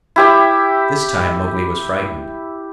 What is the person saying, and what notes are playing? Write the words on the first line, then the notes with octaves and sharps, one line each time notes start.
This time Mowgli was frightened.
E4 G4 E5